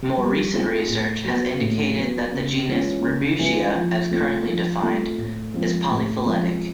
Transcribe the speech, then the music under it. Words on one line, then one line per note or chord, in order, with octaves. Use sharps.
More recent research has indicated that the genus "Rebutia" as currently defined is polyphyletic.
G3
C4 F4 G#4
A2
F#3 B3
A2
F#3 B3
C#3
E3 G#3 C#4 F4
C#3
E3 G#3 C#4 F4
F3
A3 C4 F4
F3
A3 C4 F4
A2
F3 G#3 C4
A2
F3 G#3 C4